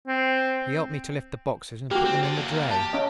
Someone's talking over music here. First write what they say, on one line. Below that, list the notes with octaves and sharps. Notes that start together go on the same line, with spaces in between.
He 'elped me to lift the boxes and put them in the dray.
C4
A#3 F#4 G4
C4
A4 D5
E2 A#3
G4 A5
C#4 D#5